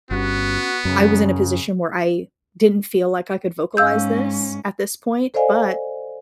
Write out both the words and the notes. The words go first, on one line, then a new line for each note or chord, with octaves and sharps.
"I was in a position where I didn't feel like I could vocalize this at this point," but,
G1 B3 C#4 F#4
F#2 C#3 C#4
G#2 C#4 F5 E6 G6
A4 C5 D5 D#5 F5 G#5